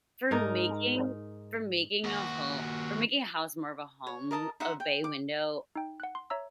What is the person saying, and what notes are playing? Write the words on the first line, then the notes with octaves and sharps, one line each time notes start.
for making for making a ho for making a house more of a home, a bay window
G#2 D#4 A#4
D#2 F#4
C#5
A#4 D#5 A5 A#5
D#4 C5 E5 F#5
G5
D6
D#4 G5
F#5 F#6
C6
C#5 E5 A#5 E6